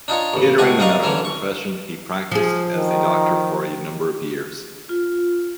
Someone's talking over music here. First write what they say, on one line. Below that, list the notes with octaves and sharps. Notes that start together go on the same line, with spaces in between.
Entering the medical profession, he practised as a doctor for a number of years.
D4 D#4 F4 C#5
A1 C#3
C#2 A3 G4 F#5 G#5 C#6
D#4 D5 D#5 F5 C#6
D3 E3 C#4 A#4
C#6
F3 G#4
D#3
F4